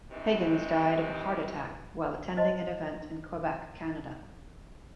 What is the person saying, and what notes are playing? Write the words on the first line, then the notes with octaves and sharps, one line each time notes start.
Higgins died of a heart attack while attending an event in Quebec, Canada.
G2 C3 D#3 E3
C5 C#5 D#5 F5 A5 C6